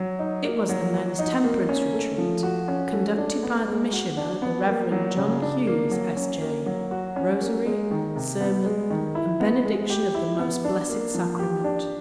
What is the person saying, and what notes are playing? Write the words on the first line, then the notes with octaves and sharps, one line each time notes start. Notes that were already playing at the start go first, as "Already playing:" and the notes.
It was the men's temperance retreat conducted by the missioner, the reverend John Hughes S. J., rosary, sermon and benediction of the Most Blessed Sacrament.
Already playing: F#3
D#4
A#3
F#3
F#4
D#4
A#3
C#4
A3
F3
F#4
C#4
A3
D4
B3
G#3
F#4
D4
B3
A#3
F#3
C#3
D4
A#3
F#3
C#4
A#3
F#3
F#4
C#4
A#3
G#3
D#3
C3
B3
G#3
D#3
E4
B3
G#3
G4
E4
B3
D4
A#3
F3
G4
D4